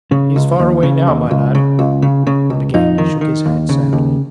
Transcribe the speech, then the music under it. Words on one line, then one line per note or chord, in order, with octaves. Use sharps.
'He is far away now, my lad! ...' And again he shook his head sadly.
C#3
C#2
D#2
C#3
D#2
C#2
C#3
C#2
C#3
C#3
C#2
F2 D#4
D#3
D#3
D#2
C#3
D#2